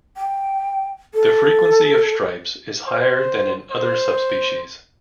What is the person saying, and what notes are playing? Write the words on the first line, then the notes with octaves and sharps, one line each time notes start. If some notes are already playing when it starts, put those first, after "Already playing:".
The frequency of stripes is higher than in other subspecies.
G5
A4
C5
C5